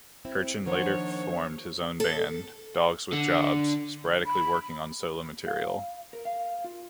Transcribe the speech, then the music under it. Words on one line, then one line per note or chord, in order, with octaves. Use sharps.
Kirchin later formed his own band, Dogs With Jobs, sporadically working on solo material.
C4 E4
D#3 F3 A#3 D4 C5 C#5 F#5
A4
D3
B5
F5
A#4
F5
F4